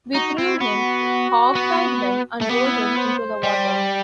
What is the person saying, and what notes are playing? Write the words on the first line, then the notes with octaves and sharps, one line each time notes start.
We threw him, hogtied him and rolled him into the water.
D#4 F#4
C4 E4
B3 F#4
B3
A3
B3 G4
E4
E4
C5
G3